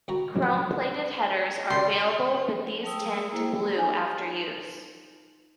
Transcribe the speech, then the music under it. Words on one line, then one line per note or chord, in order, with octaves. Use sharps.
Chrome plated headers are available but these tend to blue after use.
C2 F#4 A#5
A#3
F#2 G3 C6
F#3 A3 A#4 G5 D#6 E6
G#4
G#4
A#3 E4 C5 G5 A#5
D#4 G#5